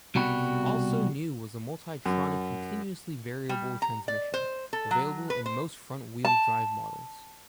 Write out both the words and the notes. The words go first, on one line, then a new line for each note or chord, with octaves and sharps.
Also new was the multitronic continuously variable transmission, available in most front-wheel drive models.
C2 B2 G3 F#4 B5
F#2
G3
A#5
D5
C5
A4
F#3
B4
C5
A5